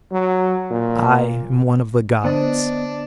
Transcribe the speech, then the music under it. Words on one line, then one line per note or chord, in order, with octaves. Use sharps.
I am one of the gods.
F#3
A#2
D3 B3 D4 C5 D5 D#5